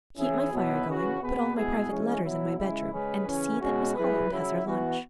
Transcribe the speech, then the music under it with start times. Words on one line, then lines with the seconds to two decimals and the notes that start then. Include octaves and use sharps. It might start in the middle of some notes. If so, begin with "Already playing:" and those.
"Keep my fire going, put all my private letters in my bedroom, and see that Miss Holland has her lunch."
0.17 E3 C#4 E4 G#4
0.51 B2 F#3 B3 E4 B4
0.86 C#3 E3 C#4 F#4 B4
1.20 B2 B3 G#4 B4
1.55 B2 G#3 B3 E4 G#4
1.89 E3 G#3 C#4
2.23 B2 F#3 E4
2.57 C#3 G#3 E4
2.92 C#3 G#3 C#4 G#4 B4
3.27 C#3 E3 C#4
3.61 B2 G#3 C#4 F#4
3.95 F#3 E4 G#4 B4
4.30 C#3 F#3 E4
4.63 E3 B3 F#4 B4